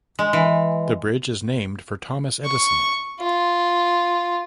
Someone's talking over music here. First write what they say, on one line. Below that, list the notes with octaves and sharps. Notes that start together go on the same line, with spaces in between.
The bridge is named for Thomas Edison.
G#3
E3
C#6
F4